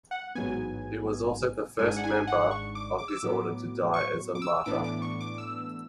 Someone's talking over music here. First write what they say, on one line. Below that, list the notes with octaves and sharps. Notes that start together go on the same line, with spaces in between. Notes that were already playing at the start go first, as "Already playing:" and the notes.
He was also the first member of his Order to die as a martyr.
F#5
A1 G#2 F#3 B3 G#5
G#1 G#2 G#3 D4 G#5
F#5
G#5
F#5
C#6
D6
D6
E6
D6
A2 F#3 B3
C#6
D6
E6
A2 E3 B3 D4 D6
D6
C#6
D6
E6